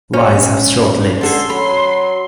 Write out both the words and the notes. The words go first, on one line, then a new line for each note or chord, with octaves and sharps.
Lies have short legs.
C#4
D3 G#4 A4 A5 C6
F#3 B5